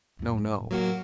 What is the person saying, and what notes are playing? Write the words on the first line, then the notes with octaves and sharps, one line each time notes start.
No, no.
F#2 A2
F#3 A#3 F#4